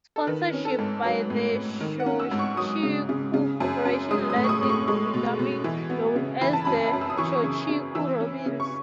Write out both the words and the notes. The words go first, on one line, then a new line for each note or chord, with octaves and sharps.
Sponsorship by the Shochiku Corporation led to it becoming known as the Shochiku Robins.
A4
D#3 B4
C#4
A4
G#2
F#3 B4
A2
A2
D#3
F#5
C#4
E6
G#2
C#6
F#3 D#6
C#3
C#3
C#3
F#2
F#2
G#3 D#6
D#6
A2
C#6
D#6
A2
C#6
G#3
B2
B2
E3
B3
C#3
E3 B5
A5
F#2 B5
F#2
E6
D#6
E3 C#6
C#3
C#3
E3 E6
C#4
C#3
C#6